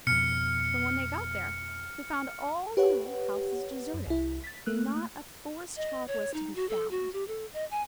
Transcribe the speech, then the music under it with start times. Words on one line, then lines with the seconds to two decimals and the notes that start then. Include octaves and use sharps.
But when they got there they found all the little houses deserted: not a Forest Child was to be found.
0.07 F2 B2 F6 C#7
2.77 G4 B4 C#5 F#5
3.94 F#2
4.06 C2 E4
4.44 A6 B6
4.66 A3 A#3 F#6
5.76 D#5
6.07 C#5
6.34 D#4
6.56 F#4
6.69 A4
6.91 F#4
7.13 G4
7.28 A4
7.53 D#5
7.71 G#5